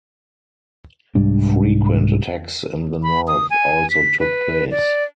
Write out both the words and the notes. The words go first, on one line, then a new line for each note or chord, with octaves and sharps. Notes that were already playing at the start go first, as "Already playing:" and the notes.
Frequent attacks in the north also took place.
C2 G#2 G3 D4
B5
D#6
G#5
B6
B4
D5